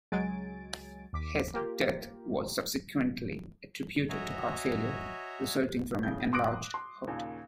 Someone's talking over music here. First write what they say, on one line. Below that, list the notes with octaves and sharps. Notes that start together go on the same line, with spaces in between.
His death was subsequently attributed to heart failure resulting from an enlarged heart.
C#2 F#3 G#3 G#5 A6 D7
D#2 D6 B6
A#3 F4 G4 A#4
F#4 C#5 D#5 E5 G#5 A#5
A2 C#3 G6
C6 D6 D#6 F#6 A#6 D7
C6
D#2 A#2 C#3